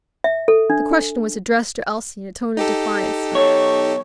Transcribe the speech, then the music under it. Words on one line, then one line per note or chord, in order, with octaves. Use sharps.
The question was addressed to Elsie in a tone of defiance.
E5
A4
D4
D#4 G4 A4
B1 C#5